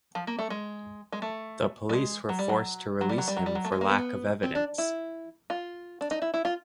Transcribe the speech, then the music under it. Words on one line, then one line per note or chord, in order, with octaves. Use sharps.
The police were forced to release him for lack of evidence.
F3
A#3
A3
G#3
G#3
A3
G3
G#3
F#3
G3
F#3
F#3
G3
F#3
G3
F#3
G3
F#3
A3
G#3
A#3
B3
C4
D4
E4
F4
D4
D#4
E4
E4
F4